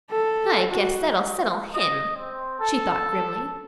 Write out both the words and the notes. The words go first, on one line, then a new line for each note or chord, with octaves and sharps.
"I guess that'll settle him," she thought grimly.
A4
F#4
D#5
C4
A4